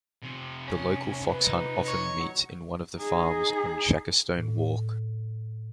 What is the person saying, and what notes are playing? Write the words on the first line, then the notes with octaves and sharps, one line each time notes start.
The local fox hunt often meets in one of the farms on Shackerstone Walk.
C3 F3
C#4
B4
D#4
C#5
F#3
D#4 G#4
A2